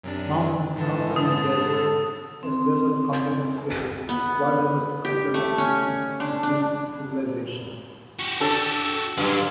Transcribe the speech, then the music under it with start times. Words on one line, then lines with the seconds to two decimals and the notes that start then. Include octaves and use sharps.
Mountains complement desert as desert complements city, as wilderness complements and complete civilization.
0.03 F#2 C3 D4
0.76 G#2 D3 E3 A5
1.16 D#6
1.66 A4
2.43 C4
4.09 B3
5.05 G4
5.34 A3
5.58 C#4
6.20 D4
6.43 D4
8.19 F#4 G4
8.40 D4 A4
9.18 G2 F#3 D4